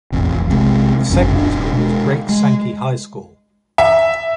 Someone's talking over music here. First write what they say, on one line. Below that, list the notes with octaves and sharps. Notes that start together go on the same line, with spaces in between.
The secondary school is Great Sankey High School.
E1 A1 F2
B1 C3 G#3
G#1 F#2 F#3 C#4
D#1 D4
B2 G#3
G#3
E5